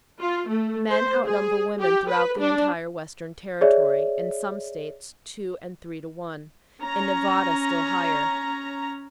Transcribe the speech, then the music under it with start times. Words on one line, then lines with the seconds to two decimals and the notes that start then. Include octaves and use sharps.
Men outnumber women throughout the entire western territory; in some states, two and three to one; in Nevada, still higher.
0.19 F4
0.48 A3
0.88 C5
1.25 G#4
1.80 G4
2.10 B4
2.39 D4
3.61 G#4 C#5 D5 E5
6.82 C#4 A#5